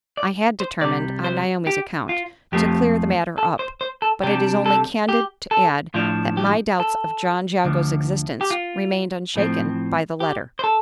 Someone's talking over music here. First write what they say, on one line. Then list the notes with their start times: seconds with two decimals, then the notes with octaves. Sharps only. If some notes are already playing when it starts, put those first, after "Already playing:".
I had determined, on Naomi's account, to clear the matter up; but it is only candid to add that my doubts of John Jago's existence remained unshaken by the letter.
0.17 D5
0.60 C5
0.81 C2 C3 G3 D5
1.24 C5
1.67 G4
2.09 F4
2.52 F2 F3 A3 C4 G4
3.38 A4
3.59 C5
3.81 C5
4.02 A4
4.23 C3 G3 D4 G4
4.66 A4
5.09 G4
5.51 A4
5.94 A2 F3 D4 F4
6.37 G4
6.80 A4
7.64 D2 D3 F3
8.41 G4
8.50 F4
9.36 A2 F3 C4
10.20 G4
10.59 C5
10.64 A4